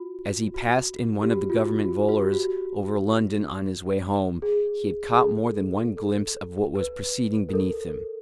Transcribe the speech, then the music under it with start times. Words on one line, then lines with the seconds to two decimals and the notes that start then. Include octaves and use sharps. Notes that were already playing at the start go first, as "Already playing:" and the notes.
As he passed in one of the Government volors over London on his way home, he had caught more than one glimpse of what was proceeding beneath him.
Already playing: F4 F#4
0.54 F#4
1.22 G4
1.31 F#4
1.50 F4
1.58 F#4
1.84 F#4
2.09 F#4
2.20 G4
2.33 F#4
4.42 G#4
5.12 G#4
5.21 A4
5.97 A4
6.75 B4
7.49 A#4
7.53 A4